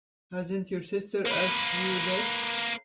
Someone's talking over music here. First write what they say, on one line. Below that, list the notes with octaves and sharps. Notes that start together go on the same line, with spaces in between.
Hasn't your sister asked you that?
A#3 B4